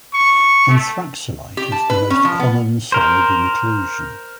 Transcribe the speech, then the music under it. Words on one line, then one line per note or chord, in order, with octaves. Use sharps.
Anthraxolite is the most common solid inclusion.
C#6
A3
G4
A5
B4
C#4
F3
B3
A#4 C5